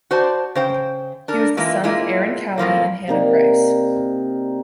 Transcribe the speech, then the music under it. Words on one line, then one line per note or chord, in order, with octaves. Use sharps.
He was the son of Aaron Cowley and Hannah Price.
F#4 C5 D5 A5
C#3 C5 G5
D4 A#4
E3 G#3 A#3 E4 F4
G#3 A#3 E4 F4
F2 A2 F3 A#3
C3 A#3 D#4 D5